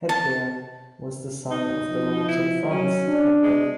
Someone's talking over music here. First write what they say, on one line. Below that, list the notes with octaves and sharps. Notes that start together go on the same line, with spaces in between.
Hedberg was the son of the writer Frans Hedberg.
A5
D#4
F3
E4
F#3 C#4
D4
G#3